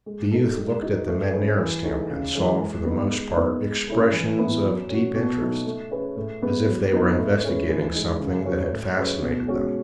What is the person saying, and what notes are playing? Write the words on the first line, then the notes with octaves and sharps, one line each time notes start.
The youth looked at the men nearest him, and saw, for the most part, expressions of deep interest, as if they were investigating something that had fascinated them.
G#3
D#4 A4
G#3
D#4 F#4
A3
C#4 G#4 B4
E3
A3 D#4 G#4
C#3
E3 G#3 C#4
G#3
B3 D#4
G#3
B3 D#4 G#4 B4
G#3
C#4 E4 A4
E3
B3 E4 B4
F#3
C#4 F#4
B2
F#3 A3 D#4
A3
C#4 G#4 B4
A2
G#3 B3
F#3
B3 D#4
A2
G#3 C#4 G#4 B4
E3
G#3 D#4
C#3
F#3 C#4
A2
F#3 C#4 G#4 B4
B2
G#3 C#4 F#4